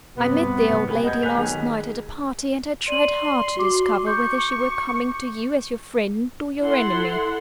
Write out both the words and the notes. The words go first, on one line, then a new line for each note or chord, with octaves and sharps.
I met the old lady last night at a party, and I tried hard to discover whether she were coming to you as your friend or your enemy.
G2 C3 B3
G4 G#4 B4
D#5 F#5 B5 G6 G#6
G#5 F#6 G6 B6 F7
B1 D#3 G#4
D5 C6 D#7 F#7
F#4 D6
C#6 D6 G6
E4 A4 F#5 C6